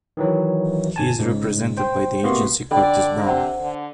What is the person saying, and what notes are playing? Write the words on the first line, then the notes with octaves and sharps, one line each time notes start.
He is represented by the agency Curtis Brown.
D#3 E3 F#3
G1 G#5 A5
G#2 C#3
C5 G5
C3 A#3 B3 F#4 C6
D3 D5 G5 B5
C3 C5 F#5
D3